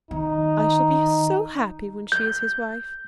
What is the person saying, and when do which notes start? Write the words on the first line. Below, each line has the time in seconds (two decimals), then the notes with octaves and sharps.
I shall be so happy when she is his wife.
0.11 D#3 D#4
2.12 G6